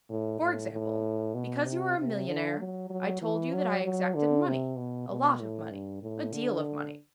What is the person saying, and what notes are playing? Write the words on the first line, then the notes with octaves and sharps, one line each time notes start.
For example, because you are a millionnaire, I told you that I exacted money, a lot of money, a deal of money.
A2
A2
A2
B2
C3
C3
D3
F#3
F#3
E3
F#3
F#3
D3
C3
B2
B2
A2
G2
A2
D3